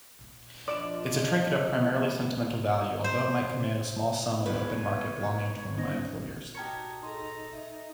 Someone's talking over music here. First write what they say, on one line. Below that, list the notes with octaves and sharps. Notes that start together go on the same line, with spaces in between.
It's a trinket of primarily sentimental value, although it might command a small sum on the open market, belonging to one of my employers.
C3 F3 D4 D5 D#5 D6 D7 E7
F3 A3 B3
C5
G1 C2 B4 C#5
C#4 D#4 C5 A#6
D#4 F#4 G4 A#4 C#5 A5 G#6 C#7
D#4 G#4 A4 A#5 C6
D#5 E5